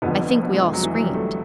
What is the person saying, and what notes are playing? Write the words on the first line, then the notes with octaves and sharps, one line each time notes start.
I think we all screamed.
F1 F2 D3 F3 B3
B3
B3
G#3
F#3
E3
F#3
G3
A3